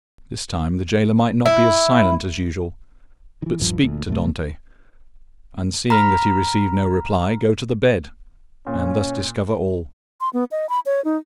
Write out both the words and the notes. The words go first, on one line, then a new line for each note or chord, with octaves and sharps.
This time the jailer might not be as silent as usual, but speak to Dantes, and seeing that he received no reply, go to the bed, and thus discover all.
E4
D#3 E3
D#1 A1 G2 F3
D2 A#2
D1 F#2 C3 A3
A#5 B5 F6
A#2 C#4
C6
B3
D#5
B5
C#5
D#4